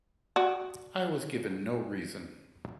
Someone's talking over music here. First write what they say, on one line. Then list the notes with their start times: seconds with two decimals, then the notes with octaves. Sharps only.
I was given no reason.
0.36 F#4 D5